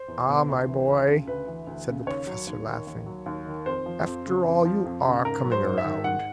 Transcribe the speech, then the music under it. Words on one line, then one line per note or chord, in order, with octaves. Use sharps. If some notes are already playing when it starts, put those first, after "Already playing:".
"Ah, my boy," said the Professor, laughing, "after all, you are coming round."
Already playing: C5
E2
B2
D2
E3
D2
C#3
D2 B4
E3
D2
C#3
D#2 C#5
F#3
D#2
D#3
D#2
F#3
D#2
D#3
F2 C5
F3
F2
C#3
F2
F3
F2
C#3
G#2 A#4
F#3
C5
G#2
E5
D#3
G#2 F#5